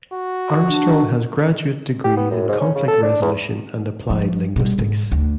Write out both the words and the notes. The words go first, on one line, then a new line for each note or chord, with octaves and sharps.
Armstrong has graduate degrees in Conflict Resolution and Applied Linguistics.
F#4
D4
G4
B3
F#2
G#2
C#4
C#3
A4
D4
E2
F3
B2 G3
G#2
D2